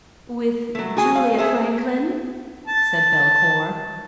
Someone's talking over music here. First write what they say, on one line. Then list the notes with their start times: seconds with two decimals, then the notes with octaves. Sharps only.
"With Julia Franklin," said Belcour.
0.75 F#3 A3
0.97 F#4 G#4 G#5
1.15 F5
1.38 A3 G#4 A4 C5 E5
2.67 A5